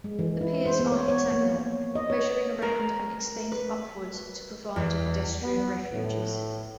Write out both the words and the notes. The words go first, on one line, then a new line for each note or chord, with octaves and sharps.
The piers are hexagonal, measuring around and extend upwards to provide pedestrian refuges.
G#3
E3
E4
C5
B3
C#5
C#5
A#3
C#5
D#5
C#5
A#4
B4
E2
B3
A2